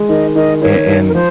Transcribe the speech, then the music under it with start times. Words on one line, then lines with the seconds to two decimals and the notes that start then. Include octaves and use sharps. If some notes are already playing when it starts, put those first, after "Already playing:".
and and,
Already playing: G#3
0.08 D#3 D#5
0.35 D#3 D#5
0.62 D#3 C#5
0.88 D#3
1.09 A#4
1.14 F3 C5